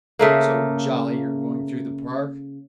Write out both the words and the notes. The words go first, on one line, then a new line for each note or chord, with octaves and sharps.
"So jolly you're going through the Park."
C#3 A3 A#3